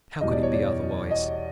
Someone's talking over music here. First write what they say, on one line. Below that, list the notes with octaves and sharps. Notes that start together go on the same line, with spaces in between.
How could it be otherwise?
E2 B2 G3 D#5
D5
C#5
D5
D#5